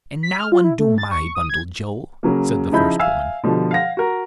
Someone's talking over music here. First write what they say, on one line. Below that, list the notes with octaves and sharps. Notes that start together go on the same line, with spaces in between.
"And now undo my bundle, Joe," said the first woman.
B6
F6
F4
E4
A3
A6
C#6
D#6
G#6
C#3 F#3 A#3
C#3 F3 D#4 E4 B5 G6
E5 F5 G#5 E6
B2 D3 F3 G3
F5 F#5 A#6
F#4 A#4